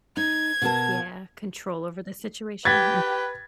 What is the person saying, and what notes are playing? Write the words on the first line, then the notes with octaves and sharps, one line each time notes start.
yeah, control over the situation,
D#4 G#6
B2 A#4 A5
G4 B4 G5 G#6 A6 B6